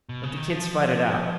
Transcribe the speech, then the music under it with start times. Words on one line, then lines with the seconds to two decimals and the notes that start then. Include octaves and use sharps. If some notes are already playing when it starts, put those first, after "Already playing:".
"Let the kids fight it out."
0.09 B2
0.24 C#3
0.37 D#3
0.50 F3